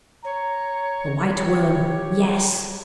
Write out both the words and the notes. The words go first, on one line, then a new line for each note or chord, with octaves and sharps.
"The White Worm--yes!"
C#5 A#5
G4